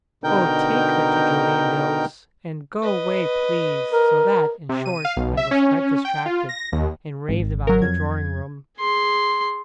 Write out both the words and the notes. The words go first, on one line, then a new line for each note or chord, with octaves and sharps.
Oh, take her to Julia Mills, and go away, please! So that, in short, I was quite distracted, and raved about the drawing-room.
B2 D3 D#4 A#4 G5 G6
B4 D#5
A#4
C3
D#7
F5
B1
E5
C#4
C#4
G5
F4
A#6
D#2
G#1
F#3 A#4
F2 G#6
G#4 C6